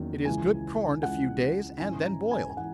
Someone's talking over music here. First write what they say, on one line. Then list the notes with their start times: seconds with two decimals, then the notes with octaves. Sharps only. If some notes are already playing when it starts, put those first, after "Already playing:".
It is good corned a few days, and then boiled.
Already playing: E2 D#3 F#3 A#3 C#4
0.25 C#2 C#3 E3 G#5
1.03 C#2 C#3 E3 F#5
1.80 G#2 E3 G#3 C#4 G#5
2.06 A#5
2.31 G#5
2.50 G#5
2.57 E3 F#5